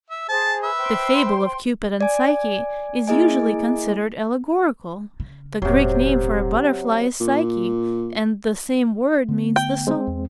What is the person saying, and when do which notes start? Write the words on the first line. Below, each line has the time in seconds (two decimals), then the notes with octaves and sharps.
The fable of Cupid and Psyche is usually considered allegorical. The Greek name for a butterfly is Psyche, and the same word means the soul.
0.10 E5
0.28 G#4 C5 A5
0.63 B4 E5
0.78 C5 G5 C6
2.01 D5 G#5
3.08 A#3 E4 G#4 D#5 G#5
5.20 C#3
5.62 E1 A2 C3 F#3
7.20 A#2
9.29 D3 A3 B3
9.56 G5
9.87 G#3 C4
10.07 E2